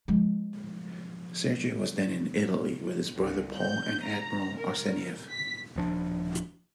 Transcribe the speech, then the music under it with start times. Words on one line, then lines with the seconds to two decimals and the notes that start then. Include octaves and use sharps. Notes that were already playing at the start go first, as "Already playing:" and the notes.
Sergei was then in Italy with his brother Paul and Admiral Arseniev.
0.08 F3 G#3
3.15 C2
3.56 G6
4.02 A#5
4.56 A#4
5.31 B6
5.76 D#1 F3 D4